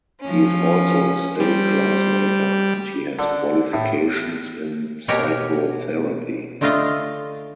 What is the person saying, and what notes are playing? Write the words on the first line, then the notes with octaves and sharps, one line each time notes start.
He is also a stained glass maker, and he has qualifications in Psychotherapy.
F3 C#4
G3 C5
D3
A2
B2 G4 A#4 C#5 G#5
D3 A3 F4 D#5 F5 C6